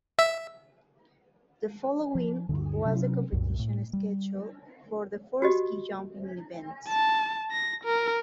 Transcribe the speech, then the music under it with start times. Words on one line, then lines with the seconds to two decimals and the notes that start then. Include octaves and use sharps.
The following was the competition schedule for the four ski jumping events.
0.19 E5
2.15 F3
2.49 D2 G2 D3
2.85 C3 F#3 C#4
3.32 C2 F#2 A#2
3.59 A2
3.93 G3
5.42 F#4 G4 D#5
6.88 A5
7.52 A#6
7.84 A#4